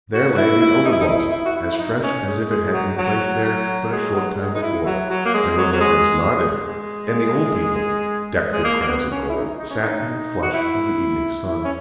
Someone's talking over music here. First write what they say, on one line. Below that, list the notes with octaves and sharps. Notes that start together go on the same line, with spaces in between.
There lay the Elder-blossom, as fresh as if it had been placed there but a short time before; and Remembrance nodded, and the old people, decked with crowns of gold, sat in the flush of the evening sun.
F#4
E4
E4
D#4
E4
D#4
E4
E4
F#4
E4
E4
D#4
C#4
G#3
G#3
F#3
F#3
F#3
G#3
F#3
G#3
D#4
E4
F#3
F#3
A#3
G#3
F#3
F#3
G#3
G#3
G#3
A#3
A#3
B3
C#4
E4
D#4
D#4
C#4
D#4
F#4
E4
E4
C#4